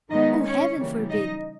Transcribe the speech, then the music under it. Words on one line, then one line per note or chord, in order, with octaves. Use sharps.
Oh, heaven forbid!
D#3 G#3 B3 D#4 D#5
C#4 C#5
C#3 E3 G3 A#3
D#4 D#5